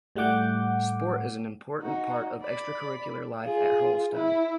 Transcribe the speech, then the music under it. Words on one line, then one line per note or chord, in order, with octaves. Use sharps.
Sport is an important part of extracurricular life at Hurlstone.
A2 G3 A3 F#5 D6 G6
D#4 F#4
D5 B5
F4 G#4
E4